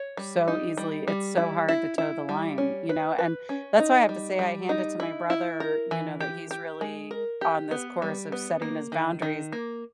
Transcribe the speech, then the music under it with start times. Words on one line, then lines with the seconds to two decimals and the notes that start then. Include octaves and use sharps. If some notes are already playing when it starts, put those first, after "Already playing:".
so easily, it's so hard to toe the line, you know, and that's why I have to say I hand it to my brother, you know, that he's really on this course of setting his boundaries.
Already playing: C#5
0.17 G3
0.48 D#4
0.78 G3
1.08 G3
1.37 E4
1.69 E4
1.98 E4
2.29 G3
2.58 C#4
2.89 B4
3.19 B4
3.49 C#4
3.79 D#4
4.09 G3
4.39 G3
4.69 D#4
5.00 E4
5.30 E4
5.60 A#4
5.91 E3
6.21 G4
6.51 G4
6.81 G#3
7.11 A#4
7.41 G4
7.71 B3
8.02 G3
8.32 B3
8.62 A#3
8.92 D#3
9.22 D#3
9.52 A#3